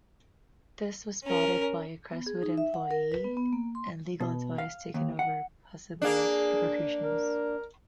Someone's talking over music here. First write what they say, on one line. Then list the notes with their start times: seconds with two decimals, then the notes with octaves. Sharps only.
This was spotted by a Crestwood employee, and legal advice taken over possible repercussions.
1.24 C#4 A#4
2.12 B3
2.27 G#4
2.43 D#4
2.58 E5
2.74 F#5
2.91 A#4
3.12 B4
3.24 B3
3.37 B3
3.53 A#3
3.75 C6
4.20 B2
4.58 F5
4.94 D#2
5.19 F#5
6.02 A#3 D4 G#4
7.02 A#4